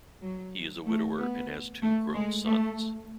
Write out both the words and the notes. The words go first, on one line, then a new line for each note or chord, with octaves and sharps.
He is a widower and has two grown sons.
F#3
A3
B3
A3
G#3
A3